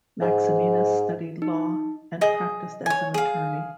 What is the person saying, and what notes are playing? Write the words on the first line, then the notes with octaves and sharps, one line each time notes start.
Maximinus studied law, and practiced as an attorney.
G#2
D#4
G#4 D#5 D#6
C#5 G#5
G#4 F5